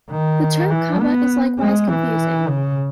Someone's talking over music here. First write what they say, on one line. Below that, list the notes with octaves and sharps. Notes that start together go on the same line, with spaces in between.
The term Kaba is likewise confusing.
D#3
E3
B3
G#3
E3
C#3